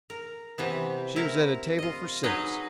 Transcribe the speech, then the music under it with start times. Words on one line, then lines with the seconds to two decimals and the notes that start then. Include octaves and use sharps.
She was at a table for six.
0.10 A#4
0.58 C3 E3 B3
1.16 C3 E4 A#4
1.79 F4 D#5
2.23 F#3 D#4 G#4 B4 D#5